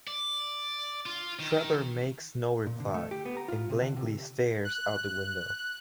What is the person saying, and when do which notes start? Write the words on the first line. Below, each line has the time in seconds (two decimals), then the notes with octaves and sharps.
Trevor makes no reply, and blankly stares out the window.
0.07 D5
1.06 F4
1.39 D#3
2.67 A#2
2.80 D3
2.94 A3
3.11 G4
3.25 B3
3.37 A#5
3.48 F4
3.70 C3
3.82 D3
3.97 C3
4.65 F#6